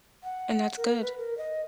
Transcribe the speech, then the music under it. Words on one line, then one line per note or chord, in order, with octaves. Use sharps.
And that's good.
F#5
A#4
B4
A#4
D#5